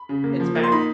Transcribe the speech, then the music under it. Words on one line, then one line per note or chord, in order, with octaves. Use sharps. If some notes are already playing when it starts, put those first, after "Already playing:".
It's Max.
Already playing: B5
C#3
A#3
F3
A#3
C6
D#4 B5